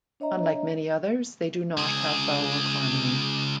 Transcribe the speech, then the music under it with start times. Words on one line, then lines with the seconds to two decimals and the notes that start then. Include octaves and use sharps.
Unlike many others, they do not have vowel harmony.
0.20 D4 C#5 D#5 E5 A#5
1.77 C#2 G#4